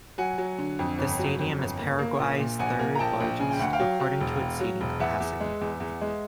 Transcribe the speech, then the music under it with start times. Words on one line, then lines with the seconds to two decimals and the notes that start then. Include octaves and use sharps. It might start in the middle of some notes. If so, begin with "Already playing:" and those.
The stadium is Paraguay's third largest, according to its seating capacity.
0.18 F#3 F#5 G#5
0.38 F#3
0.58 D3
0.79 F2
0.98 G1
1.19 F#3
1.39 F2
1.59 G1
1.79 A#3
1.99 A#3
2.19 A#1
2.39 A#2
2.59 A#1 F#5 G#5
2.79 A#3
2.95 A#5
2.99 A#1 G5 A5
3.20 A#1
3.39 C#3 G#5
3.51 G5
3.59 D2 F#5
3.73 F5 G5
3.80 F#3
4.00 F#3
4.21 E1
4.40 E1
4.60 F#3
4.81 E1
5.00 E2 E5 F#5
5.20 E2
5.40 G#3
5.61 E2
5.80 E2
6.01 G#3